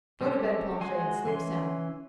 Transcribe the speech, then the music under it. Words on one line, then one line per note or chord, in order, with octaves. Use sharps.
"Go to bed, Planchet, and sleep soundly."
G3 C4 C#4 G4 A4
G#3 F#4 G#5 C6
E3 C#4 C6